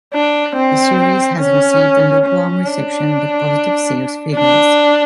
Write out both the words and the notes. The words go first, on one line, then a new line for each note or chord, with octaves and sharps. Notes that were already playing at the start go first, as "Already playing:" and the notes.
The series has received a lukewarm reception, but positive sales figures.
D4
C4
C#4
C#4
D4
D4